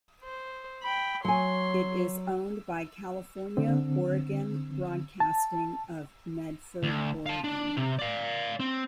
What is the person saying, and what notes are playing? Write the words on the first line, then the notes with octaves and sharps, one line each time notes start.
It is owned by California Oregon Broadcasting of Medford, Oregon.
C5
G5 B5
F#3 C#5 G#5 C6
D3 C4
A5
D2
F5 A5
D4
C3
D5 F5
C4